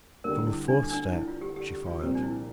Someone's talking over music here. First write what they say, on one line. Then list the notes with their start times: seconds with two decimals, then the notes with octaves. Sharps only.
From the fourth step she fired.
0.24 D2 D3 G3 A#3 A#4
0.47 E4
0.68 D4
0.90 D4
1.12 E4
1.28 F4
1.41 G4
1.56 G4
1.72 G4
1.86 F4
2.01 C2 A#2 F3 C4 G4
2.15 D4
2.23 E4